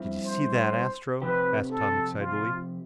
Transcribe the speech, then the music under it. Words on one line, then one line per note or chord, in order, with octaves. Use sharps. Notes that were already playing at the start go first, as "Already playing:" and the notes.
"Did you see that, Astro?" asked Tom excitedly.
Already playing: G2 F3 C4 E4
C5
F2 C3 F3 C4 G4 B4
A4
F4